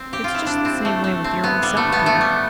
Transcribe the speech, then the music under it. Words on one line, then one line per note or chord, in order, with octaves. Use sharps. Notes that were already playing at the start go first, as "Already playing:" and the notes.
It's just the same way with your own self, Peter.
Already playing: C4
G4
F4
E4
D4
C4
A3
A3
C4
B3
G3
A3
B3
A3
G3